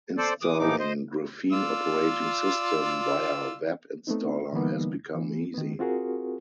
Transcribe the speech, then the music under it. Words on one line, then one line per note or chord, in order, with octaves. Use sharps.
Installing Graphene Operating System via web installer has become easy.
A4 C5 D5
E3 D6 D#6
A2 E3 F3 D#4 D6
C5 D#5
F4 D5 E6
A3 B3 C4 D#4
D3 E3 G3 A#3 B3 D#4
E3 B3
D#3 B3
C4 F4 F#4 G#4 A#4